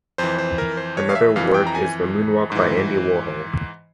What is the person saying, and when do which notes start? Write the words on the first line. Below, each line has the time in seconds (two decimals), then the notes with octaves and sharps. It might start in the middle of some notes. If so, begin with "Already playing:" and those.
Another work is the "Moonwalk" by Andy Warhol.
0.18 F2 E3 C5
0.38 C5
0.58 A#4
0.77 C5
0.97 C#5
1.09 F5
1.15 E5
1.36 F2 E3 F5
1.54 G5
1.67 A#5
1.75 G#5
2.52 G#2 E3